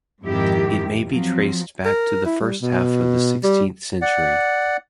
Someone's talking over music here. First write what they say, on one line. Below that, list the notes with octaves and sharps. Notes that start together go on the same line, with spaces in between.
It may be traced back to the first half of the sixteenth century.
F2 G#2 D#3 E4 G4
F3 F#3 C4
A#4
E4
G3
B2
G3
D5 F#5